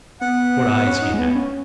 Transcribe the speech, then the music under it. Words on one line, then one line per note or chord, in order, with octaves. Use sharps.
What eyes he had!
B3 F#5
B3
C#4
D#4
G#3
B3
C#4